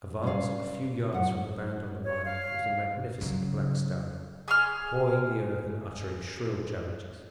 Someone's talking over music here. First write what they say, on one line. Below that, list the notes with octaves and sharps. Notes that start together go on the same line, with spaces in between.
Advanced a few yards from the band on the right, was a magnificent black stallion, pawing the earth and uttering shrill challenges.
G2 C#4 F4 D5 F5
F#2 F#5
C#5
F5
C#3 F#3
G#4 C6 F6